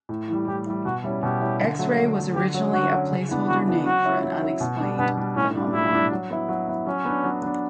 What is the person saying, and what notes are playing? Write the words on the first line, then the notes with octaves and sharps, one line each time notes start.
"X-ray" was originally a placeholder name for an unexplained phenomenon.
A2
E3 G3
A2 G4
E3 G3
B2 F#4
G3 C#4 E4
B2 G4
G3 C#4 E4
D3
F#3 A3
D3
F#3 A3
D3 G4
F#3 C#4
D3 F#4
F#3 C#4
C#3
E3 B3 D4
C#3 F#4
E3 B3 D4
F#3 F#4
C#4 E4
F#3
C#4 E4
B2
G3 D4
B2 B3
G3 D4
A2 C#4
G3 D4
A2 E4
G3 D4
F#3
B3 E4
F#3
B3 E4
F#3 C#4
B3 D4
F#3
B3 D4